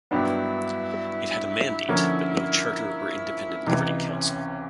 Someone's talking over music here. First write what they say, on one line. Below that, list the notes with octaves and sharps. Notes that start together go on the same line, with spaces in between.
It had a mandate but no charter or independent governing council.
G2 D#3 F#3 B3 D4 E4
D3 F3 A#3 C#4
C#2 C3 E3 D#4
C#4